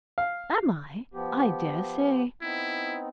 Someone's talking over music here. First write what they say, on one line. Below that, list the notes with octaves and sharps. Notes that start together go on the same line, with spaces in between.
'Am I? I dare say.
F5
F3 B3 G4
B3 C4 D#4 E4